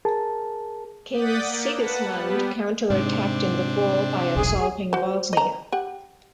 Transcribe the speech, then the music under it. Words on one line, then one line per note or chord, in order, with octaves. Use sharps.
King Sigismund counterattacked in the fall by assaulting Bosnia.
G#4 A#4 A5
D5 F#5 D#6 G6 A6 B6
A#3
B4 F#5 A5 B5
G3 B3
G#2 C3 D4
E1 B1 G#4
F#4 C5
D#5 A#5
G4 F#5